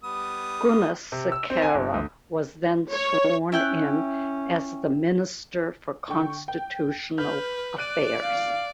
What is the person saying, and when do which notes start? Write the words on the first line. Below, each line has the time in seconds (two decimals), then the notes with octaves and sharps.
Gunasekara was then sworn in as the Minister for Constitutional Affairs.
0.03 G3 B3 D#6
1.12 C3
1.32 E6
1.50 C4
1.62 G#5
1.74 G1
1.94 D2
2.92 C#5
3.52 C#4 E4 G5 F#6
6.10 D3 G5 C#6
6.48 G5
7.18 B4 F6 G6
7.78 D5 F#6 D7 D#7
8.23 F5